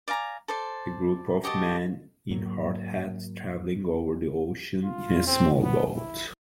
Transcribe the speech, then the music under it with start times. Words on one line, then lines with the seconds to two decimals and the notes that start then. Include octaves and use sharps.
A group of men in hard hats traveling over the ocean in a small boat.
0.08 D5 F5 G#5 A#5
0.48 A4 C5 D5
1.44 F#4 G4 D#5 A5
2.31 G#2 F#3 A#3
4.84 F4
5.27 C4
5.63 B3
5.95 E4